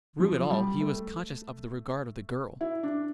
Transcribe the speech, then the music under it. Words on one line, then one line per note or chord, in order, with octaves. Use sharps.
Through it all he was conscious of the regard of the girl.
F3
G3
A3
E4
D4